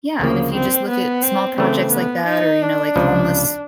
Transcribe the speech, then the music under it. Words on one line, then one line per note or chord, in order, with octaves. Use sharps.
Yeah, and if you just look at small projects like that or, you know, like homeless
D2 C#3 F3 A#3
C4
B3
C4
C#3 E3 A3 C4
B3
D#4
D4
C#2 C3 F3